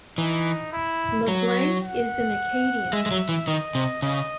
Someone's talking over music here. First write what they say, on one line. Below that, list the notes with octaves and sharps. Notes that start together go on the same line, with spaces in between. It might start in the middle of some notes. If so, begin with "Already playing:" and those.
LeBlanc is an Acadian.
E3 D#4
E4
F#3
F#5
G#3 E5
G#3
F#3
E3
D#3 D#5
C3
C#3 D#5